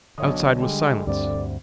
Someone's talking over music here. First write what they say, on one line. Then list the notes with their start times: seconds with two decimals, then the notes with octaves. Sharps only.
Outside was silence.
0.18 B1 D3 C#5 D#6
0.60 G3 G#3
1.07 D2 G2 C4 D5